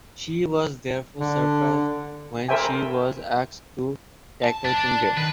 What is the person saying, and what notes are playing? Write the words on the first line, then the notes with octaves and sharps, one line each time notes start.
She was therefore surprised when she was asked to tackle Kundry.
D3
A4 A#4 C5 E5 G5 G#5
A5
D4
D#3 B4